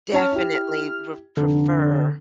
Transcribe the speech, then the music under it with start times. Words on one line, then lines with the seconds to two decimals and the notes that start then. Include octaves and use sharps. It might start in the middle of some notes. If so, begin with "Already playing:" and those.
Definitely re prefer
0.13 C#4 C#5 A5 F6
0.32 E4 G4
1.37 F1 D3